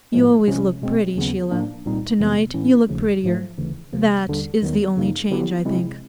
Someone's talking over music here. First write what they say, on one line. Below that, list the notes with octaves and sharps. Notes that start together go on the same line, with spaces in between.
'You always look pretty, Sheila; to-night you look prettier: THAT is the only change, I think.'
A2 F3 G#3
C2 C3 F3 G#3 C#4
B2 G#3 C4
D#2 C#3 F#3 B3
A2 F3 A#3 D4
C2 A#2 G3 C4 D#4
F2 C3 E3 G3 B3
A2 E3 A3 C#4 E4
D#2 C#3 F3 A3
G#2 F3 A3
D2 C#3 E3
D2 C3 F3 A#3
D#2 D3 G3
D#2 D#3 F#3 B3
F#2 C#3 F3 A#3 D#4
D3 F#3 B3 E4 G4
C3 F3 G#3 C4 E4